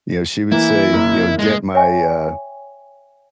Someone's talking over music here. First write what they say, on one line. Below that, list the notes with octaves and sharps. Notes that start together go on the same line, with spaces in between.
you know, she would say, you know, "Get my, uh,
E3 A#3 E4
F#1 A#3
G#3
C#5 E5 G5 G#5 C#6